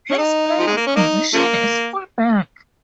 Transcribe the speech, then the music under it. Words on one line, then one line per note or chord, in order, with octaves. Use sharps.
His playing position is fullback.
C#4
D#4
F3
G#3
A#3
C#4
A#3 D#4
C#3 F3 A#3